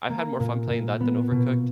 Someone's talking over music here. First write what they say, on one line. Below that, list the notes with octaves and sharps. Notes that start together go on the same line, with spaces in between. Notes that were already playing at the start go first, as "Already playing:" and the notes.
I've had more fun playing that than Overcooked,
A#3
A#2
A#2
B3
B2